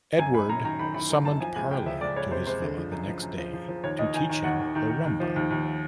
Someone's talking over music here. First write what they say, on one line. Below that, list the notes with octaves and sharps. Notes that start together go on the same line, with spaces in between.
Edward summoned Parla to his villa the next day to teach him the rhumba.
F#2 G#5
F#2 B5
F#2 A#5
D#3 A#5
D#3 B5
D#3 B5
D#3
F#2 A5
F3 G#5
C#2 G#5
C#2 G5
F3 E5
C#2 D5
C#2 C#5
C3 C5
C#2 C5
D3
F3
F#2
F3
F#2
F3
F3
F3
D#2 C#5
D#2 D#5
D#3 G#5
D#3
D#2 F#5
D#2
D#3
D#3
D#2
F3
D#2
D#2